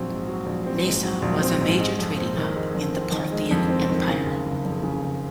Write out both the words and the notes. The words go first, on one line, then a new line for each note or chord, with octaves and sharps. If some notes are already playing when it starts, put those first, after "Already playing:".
Nisa was a major trading hub in the Parthian Empire.
Already playing: A#1 F#3 C4
G#2
F#3
A#1
C4
G#2
F#3
A#1
C4
G#2
G#3
F2
C4
D#3
G#3
F2
C4
D#3
G#3
F2
C4
D#3
C#3
F#1
F#1
F2
C#3
F#1